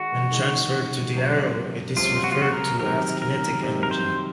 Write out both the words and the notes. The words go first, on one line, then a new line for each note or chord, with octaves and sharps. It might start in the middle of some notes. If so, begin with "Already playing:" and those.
When transferred to the arrow it is referred to as kinetic energy.
Already playing: D#3 G#3 D#4 F#4
D#3 G#3 D#4
C#2 C3 F#3 C#4
C#2 C3 F#3 C#4 F4
F#4
F4
F#4
A#4
C3 D#3 F#3 A#4
A#4
C3 D#3 F#3
A#4
C5